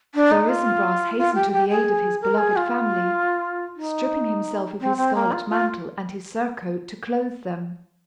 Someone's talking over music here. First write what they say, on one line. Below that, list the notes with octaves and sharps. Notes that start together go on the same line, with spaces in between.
Sir Isumbras hastened to the aid of his beloved family, stripping himself of his scarlet mantle and his surcoat to clothe them.
D4
D#4
F4
F4
G4
G4
G#4
A#4
G#4
F4
D#4
C4
C4
A#3
F4
F4